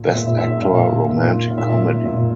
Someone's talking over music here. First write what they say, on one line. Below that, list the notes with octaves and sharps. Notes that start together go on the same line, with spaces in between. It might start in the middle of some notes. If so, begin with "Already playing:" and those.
Best Actor Romantic Comedy.
Already playing: A#2
A#2 E5
E5
E5
E5
A#2 F5
A#2 E5
F5
A#2 E5
A#2